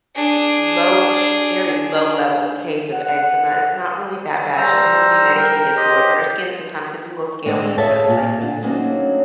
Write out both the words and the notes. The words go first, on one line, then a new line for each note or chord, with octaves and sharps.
l low very low level case of eczema, it's not really that bad, she doesn't have to be medicated for it, but her skin sometimes gets a little scaly in certain places.
D4 G#4
F#5
G3 C5 A#5 E6
A#4 G5
G4 C5 D#5
G#3 A3 C4 G#4 D5
G#4 A4 C#5 E5 F5 A5
A#2
D3
D3 F#3 A#3 C4 C#4 D#4